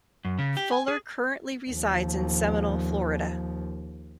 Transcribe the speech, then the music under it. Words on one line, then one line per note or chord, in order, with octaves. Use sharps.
Fuller currently resides in Seminole, Florida.
F#2
C#3
G4
G#5
G#4
D#2 F3